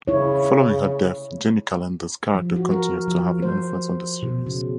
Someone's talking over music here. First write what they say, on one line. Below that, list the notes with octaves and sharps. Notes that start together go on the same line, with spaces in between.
Following her death, Jenny Calendar's character continues to have an influence on the series.
C#3 E4 C#5
F3
F#4
A#4
F3
C5
B2
C#3